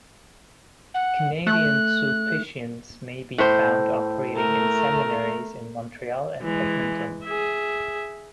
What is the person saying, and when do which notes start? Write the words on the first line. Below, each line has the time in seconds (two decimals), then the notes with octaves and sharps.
Canadian Sulpicians may be found operating in seminaries in Montreal and Edmonton.
0.94 F#5
1.47 A3 F#6
3.38 A2 C5
4.36 A3 A#4
6.42 E3 G#3
7.24 G#4 E5